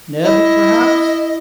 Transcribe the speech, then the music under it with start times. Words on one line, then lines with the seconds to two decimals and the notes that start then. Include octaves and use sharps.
"Neb, perhaps?"
0.23 E4 D#5